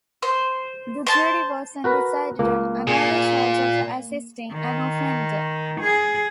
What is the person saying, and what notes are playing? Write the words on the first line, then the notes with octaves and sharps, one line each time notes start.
The jury was undecided on another charge of assisting an offender.
C5
C5 A5
F#4 A#4 B4
C#2 A#3
A#2 G#4
D#3
G#4